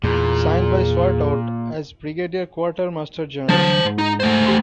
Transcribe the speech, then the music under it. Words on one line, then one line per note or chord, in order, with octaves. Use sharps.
Signed by Swartwout as Brigadier Quarter Master General.
E2 A#2 G#4
D2 D3 F#3 C5 A5
G#2
D#4
A3 C5
E2 G4 C6